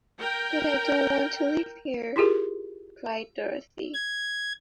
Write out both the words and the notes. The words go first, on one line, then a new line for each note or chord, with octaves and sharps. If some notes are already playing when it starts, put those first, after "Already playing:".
"But I don't want to live here," cried Dorothy.
A#4 G5
E4 F4 G4 G#4 A#4
G#6